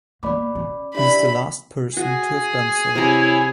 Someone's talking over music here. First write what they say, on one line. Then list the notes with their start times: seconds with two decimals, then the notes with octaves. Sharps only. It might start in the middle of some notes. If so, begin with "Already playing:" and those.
He is the last person to have done so.
0.23 B2 A#3 B3 D5 B5 D6
0.55 C#4
0.95 E3 F#3 G3 D4 E5 B5
1.97 F#4 G#4
2.95 C3 E4 C#5 E5 G#5 A#5